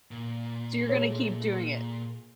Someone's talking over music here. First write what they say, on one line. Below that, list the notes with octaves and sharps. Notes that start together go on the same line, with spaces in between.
So, you're gonna keep doing it.
A#2
A3 G#4 C#5